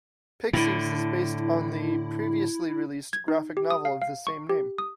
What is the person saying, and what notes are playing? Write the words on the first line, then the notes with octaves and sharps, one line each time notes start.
"Pixies" is based on the previously released graphic novel of the same name.
A2 D3 E4
G#6
D#4
G4
D#6
F5
F5
C#6
G4
D#6